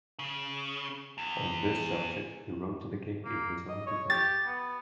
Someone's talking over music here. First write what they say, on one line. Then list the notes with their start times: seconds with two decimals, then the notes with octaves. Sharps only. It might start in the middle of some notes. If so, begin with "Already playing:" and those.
On this subject he wrote to the king in his own defence.
0.19 C#3
1.18 E2
3.25 A#3
3.69 D#5
3.87 C#5
4.10 G4 A6
4.46 B3